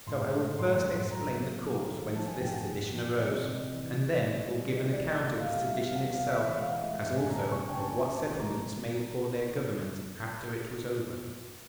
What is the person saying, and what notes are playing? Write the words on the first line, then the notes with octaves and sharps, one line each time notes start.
So I will first explain the cause whence this sedition arose, and then will give an account of the sedition itself; as also of what settlements made for their government after it was over.
A2 C6
G#3
A2 C6
A2
F#3 A#5
A#3
D#3
D#3
F3 A5
G#5
A2 G5
F#5
A2
F3
C3 D5
D#5
D5
C3
E3
G#3
G3 D5
G3
D#3 D#5
D5
A#3
D#5
A#3 F#5
F5
G3 F5
E5
B2 F5
F#5
B2
F5
E3 E5
E5
G#3 F5
F#5
E5
G#3 D#5
E5
A2
G#5
A#5
C#3 A5
C#6
C#3 G#5
G5
A5
C#3 G#5
C#3 A5
G#3 A#5